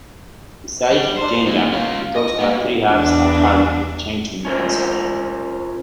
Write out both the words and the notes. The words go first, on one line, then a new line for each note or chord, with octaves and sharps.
Besides Shenyang, it also had three hubs at Harbin, Changchun and Sanya.
G3
C5
A#3 D#4
C#4 F4
D#5
A#3 B3
E2 D4
C#4 F4 A#4 C5